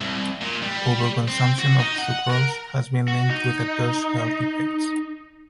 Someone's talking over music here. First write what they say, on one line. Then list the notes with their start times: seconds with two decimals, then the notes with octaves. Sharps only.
Overconsumption of sucrose has been linked with adverse health effects.
0.01 C2
0.41 A#2
0.62 G3
1.28 C4
1.58 F#4
1.79 D#4
1.99 F#5
2.30 A#4
3.08 F#4
3.30 D#4